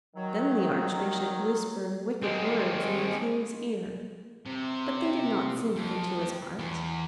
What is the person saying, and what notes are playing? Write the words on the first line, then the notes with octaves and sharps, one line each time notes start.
Then the archbishop whispered wicked words in the King's ear, but they did not sink into his heart.
D#3 F#3
G#3 C4
C3
F2
E2